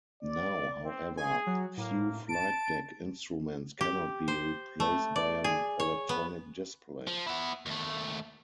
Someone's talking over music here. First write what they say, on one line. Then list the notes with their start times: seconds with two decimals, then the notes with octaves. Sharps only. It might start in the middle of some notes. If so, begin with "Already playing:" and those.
Now, however, few flight deck instruments cannot be replaced by an electronic display.
0.23 D5
0.84 C4
1.17 G#4 G#5
1.47 F#3
1.77 A2 A#3
2.29 A5 D7
3.81 G4
4.28 C5
4.80 A3
5.16 D5
5.44 G#4
5.80 C#5
6.09 B3
7.07 F3
7.27 B3 E4
7.66 D#2 A3